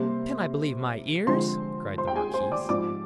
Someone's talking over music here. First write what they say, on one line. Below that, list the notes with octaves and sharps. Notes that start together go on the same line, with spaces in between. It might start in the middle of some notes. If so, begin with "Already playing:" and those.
"Can I believe my ears?" cried the marquise.
Already playing: C3 G3 A#3 C5 C6
D3 F3 G#3 C4 C5 C6
C5 C6
G5
G#4 G#5
C5 C6
D5 D6
G#2 F3 C4 D5 D6